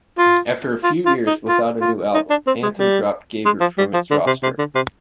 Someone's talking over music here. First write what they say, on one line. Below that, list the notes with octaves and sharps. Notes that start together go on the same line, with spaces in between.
After a few years without a new album, Anthem dropped Gabor from its roster.
F4
F4
F4
D#4
F4
F4
D#4
D4
C4
G#3
G3
G#3
F3
G3
F3
D3
C3
C3
D3
C3